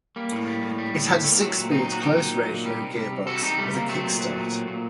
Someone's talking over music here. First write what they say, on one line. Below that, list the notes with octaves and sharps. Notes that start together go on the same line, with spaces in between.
It had a six-speed close ratio gearbox with a kick-start.
G3 A#3
A2
G3
A2
G3
A2
G3
A2 A3
A#3
F#3 A3 C4
A#2
F#3 C4 D#4
A#2 F#4
F#3 D#4 G4
A#2
F#3
A#2
G3
C3
G3
C3
G3 F#4 A4
C3 D#4 G4
G3 A3
C3 A#3
F#3 A3 C4
A#2
F#3
A#2
F#3
A#2